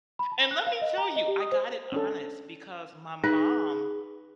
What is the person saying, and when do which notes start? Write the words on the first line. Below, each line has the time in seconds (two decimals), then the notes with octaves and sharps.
And let me tell you, I got it honest because my mom,
0.19 B5
0.32 A5
0.51 F#6
0.67 F5
0.82 D#5
0.98 A#5
1.16 D#5
1.28 G4
1.40 D#6
1.52 C5
1.92 C#4 D4 A4
3.24 D#4 G#4 B4